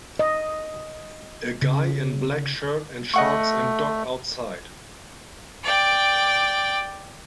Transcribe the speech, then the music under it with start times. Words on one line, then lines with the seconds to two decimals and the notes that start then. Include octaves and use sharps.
A guy in black shirt and shorts and dog outside.
0.19 D#5
1.62 C#3
3.14 A3 D#5 F#5 C#6
5.64 D5 G5